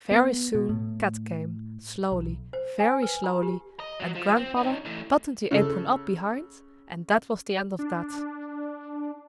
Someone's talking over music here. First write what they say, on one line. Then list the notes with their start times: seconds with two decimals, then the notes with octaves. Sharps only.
Very soon Kat came slowly--very slowly--and Grandmother buttoned the apron up behind, and that was the end of that.
0.11 B3
0.55 B2
0.69 A2
2.12 B1
2.53 C5
2.80 G#5
3.02 B4
3.24 F4
3.43 G4
3.80 D#5
4.00 F#3
4.15 F3
4.37 C4
4.57 C#4 D#4
4.85 A2 E3
5.51 C#3 A4
7.79 D4